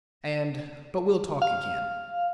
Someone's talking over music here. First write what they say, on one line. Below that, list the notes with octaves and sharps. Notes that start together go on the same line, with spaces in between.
And--but we'll talk again.
F5